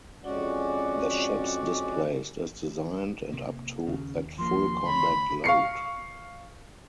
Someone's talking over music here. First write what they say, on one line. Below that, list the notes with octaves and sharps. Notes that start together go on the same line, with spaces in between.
The ships displaced as designed and up to at full combat load.
F2 G#3 C#4 F#4 D5 F#5
C3 A#3
D#2 C#3
F3 A#3 C6
D2 C#5 B5
F5 C#6 C7 C#7